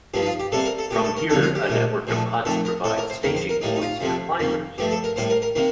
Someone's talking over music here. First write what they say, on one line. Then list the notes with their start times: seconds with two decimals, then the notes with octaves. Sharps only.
From here a network of huts provide staging points for climbers.
0.14 G2 F3 A#3 G4
0.22 D#4
0.26 F4
0.40 G4
0.52 C3 G3 A#3 A4
0.59 C5
0.65 A#4
0.79 A4
0.91 A#2 A3 G4
1.04 A4
1.17 A#4
1.29 F2 D3 G3 A#3 A4
1.42 F4
1.55 G4
1.69 A#2 A3
2.07 A#2 F3 A3
2.45 F2 D#3 A3 A4
2.65 A#4
2.84 A2 A4
2.87 A3
2.98 A#4
3.10 C5
3.23 F2 D#3 A#3 A#4
3.36 C5
3.49 A#4
3.61 A2 G3 A#3 D#4
3.76 D#4
3.82 F4
4.01 F2 C3 F3 A3
4.39 F2 D#3 A#3
4.78 G2 F3 A3 G4
4.91 A4
5.04 A#4
5.16 A2 G3 A#3 C5
5.30 A#4
5.42 A#4
5.55 C3 D#3 A#3 A#4